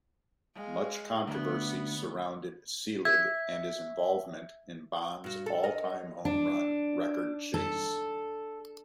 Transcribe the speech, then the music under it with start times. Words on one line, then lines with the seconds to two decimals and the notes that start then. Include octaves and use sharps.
Much controversy surrounded Selig and his involvement in Bonds' all-time home run record chase.
0.55 G#3 F5
1.27 D2 B3
3.05 E5 G#6
5.24 G2 F#4
5.46 A4
5.63 A#4 D#5
6.25 D4
7.54 A4